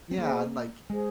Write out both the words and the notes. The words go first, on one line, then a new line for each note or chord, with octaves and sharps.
yeah, and, like
C4
A#3 G#4 C5 G#5
G#3 G#4 C5 G#5